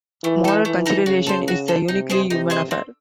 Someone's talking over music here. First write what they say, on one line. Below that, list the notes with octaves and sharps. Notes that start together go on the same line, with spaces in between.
Moral consideration is a uniquely "human" affair.
E3 A3
D#4 A4
E3 A3
D#4 A4
C#3 F#4
A4 C5
F#4
A4 C5
C3 D#4
G#4 C5 D#5
C3 D#4
G#4 C5 D#5
C4